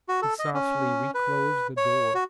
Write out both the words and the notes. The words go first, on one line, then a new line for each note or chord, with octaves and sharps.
He softly reclosed the door.
F#4
A4
D#5
C#4
B4
C#5
F#4